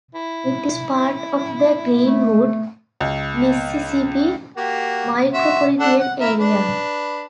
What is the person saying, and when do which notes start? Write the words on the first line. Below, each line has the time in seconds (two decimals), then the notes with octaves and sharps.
It is part of the Greenwood, Mississippi micropolitan area.
0.14 E4
2.04 A3
3.00 C#2
4.57 A#3 F#4 G4
5.34 F#4 E5 C6
5.80 D4 A4 F#5
6.00 F#5
6.21 E4 A#4 E5
6.39 D4 B4